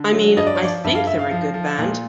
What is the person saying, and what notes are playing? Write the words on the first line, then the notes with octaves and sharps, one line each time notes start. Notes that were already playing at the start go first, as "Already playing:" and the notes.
I mean I think they're a good band.
Already playing: D3
F#3
G2 D#5
D5
C#5
F3 D5
G2 E5
F5
G2 E5
F5
F3
F3
A#2